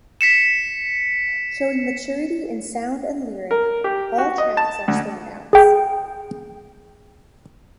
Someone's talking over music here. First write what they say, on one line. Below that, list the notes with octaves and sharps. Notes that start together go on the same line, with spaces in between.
Showing maturity in sound and lyric, all tracks are standouts.
B6 C#7 E7
A#4
G4
F#4
D#5
A5
D2
G#4 G5